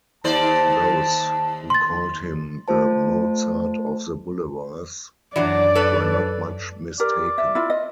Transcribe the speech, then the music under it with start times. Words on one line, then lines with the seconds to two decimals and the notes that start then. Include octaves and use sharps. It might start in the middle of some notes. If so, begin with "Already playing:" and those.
Those who called him 'The Mozart of the Boulevards' were not much mistaken.
0.24 D#2 C5 D5 A5
1.70 C6 A6
2.68 A3 F4 C5 A5
5.36 F#2 E3 F#3 D4 D5
5.75 A4 B4
7.00 G4 A#4 D5
7.38 E5
7.55 E4 F4
7.70 D#5